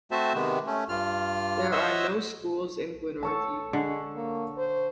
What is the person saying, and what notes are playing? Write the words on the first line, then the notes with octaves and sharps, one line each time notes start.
There are no schools in Glenorchy.
A3 C4 F#4 C5 E5 A5
C3 D#3 G#3 B3
A3 C#4
G2 F4 F6
C5 C#5 D#5 E5 F#5 E6
A4 C#5 A5
D3 G#3
A#3
C5